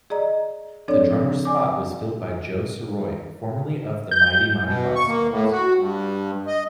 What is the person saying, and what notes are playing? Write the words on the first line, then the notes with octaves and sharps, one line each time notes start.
The drummer's spot was filled by Joe Sirois, formerly of The Mighty Mighty Bosstones.
G#4 D5 D#5 A#5
F3 C4 D4 A4 C#5 D5
D5 G#5 D6
G6
B2
C#6
A#3
A2
F#4
G2
D#5